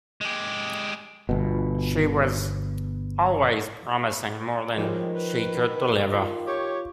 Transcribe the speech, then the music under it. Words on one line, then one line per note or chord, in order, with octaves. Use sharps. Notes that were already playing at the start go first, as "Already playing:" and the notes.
She was always promising more than she could deliver.
G#3 G4
G1 B2
A2 D#3 F3 G3 G#3
B4
F4
G4 C#5